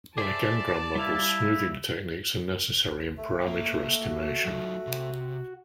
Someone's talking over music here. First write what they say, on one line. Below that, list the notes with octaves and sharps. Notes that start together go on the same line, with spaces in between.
Like N-gram models, smoothing techniques are necessary in parameter estimation.
G#4 C5 D5 E5 A5
G3 E4 F5
A3
A#3
F#4
F#3 D#4 F4
C3